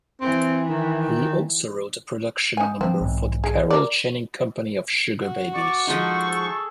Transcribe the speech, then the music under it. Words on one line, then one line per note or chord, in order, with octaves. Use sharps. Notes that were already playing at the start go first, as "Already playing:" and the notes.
He also wrote a production number for the Carol Channing company of Sugar Babies.
E3 C4
D#3
D#4 G#5
F3 C4
B1 G#2 E3
G#4
A#4 D5
F#4
D5 C#6
F3 G#3 D#4 A4 C5
G#4 A4